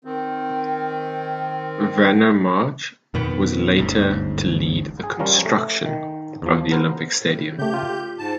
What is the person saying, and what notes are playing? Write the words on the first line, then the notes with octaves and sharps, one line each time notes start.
Werner March was later to lead the construction of the Olympic Stadium.
D#3 C4
F2 B2 D#3 B3
G1 D2 G#2 C#3
G#4
F3 G3 C#4 F4 A#4
A3
D#3
E2 F3
B3 A#4 C5
A2
C#3 A3 G4 G6
F4
G#2 A5